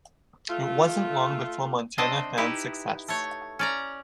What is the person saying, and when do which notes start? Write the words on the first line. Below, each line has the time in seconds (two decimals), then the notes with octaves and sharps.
It wasn't long before Montana found success.
0.49 A3 F4
1.98 C4 D4 D#5 E5
2.37 D#4 E4 G4 B4
3.08 A3 C#5
3.59 C#4 D5 A#5